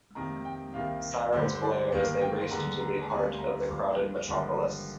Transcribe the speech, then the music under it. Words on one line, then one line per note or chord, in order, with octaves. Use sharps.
Sirens blared as they raced into the heart of the crowded metropolis.
F2 C3 D#3 A#3 A#5
G5
C2 C3 D#3 A#3 F5
G2 D3 G3 C5
C5
D5
G1 G2 D#3 A#3 F5
G5
C6
D#2 D3 G#3 A#5
A#5
D2 C3 G3 A#3 G#5
C6
A#5
G#1 G2 F3 A#3 C6
G#1 G2 D3 F3 A#3